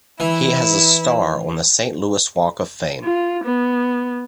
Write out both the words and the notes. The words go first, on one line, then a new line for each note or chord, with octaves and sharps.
He has a star on the Saint Louis Walk of Fame.
E3 E4
F4
B3